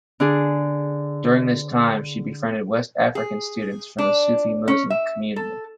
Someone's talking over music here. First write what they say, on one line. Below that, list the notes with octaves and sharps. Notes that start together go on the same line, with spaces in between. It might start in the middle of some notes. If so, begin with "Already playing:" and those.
During this time, she befriended West African students from a Sufi Muslim community.
D3 D4 G#4
G#4
D4
C#4
E5
A4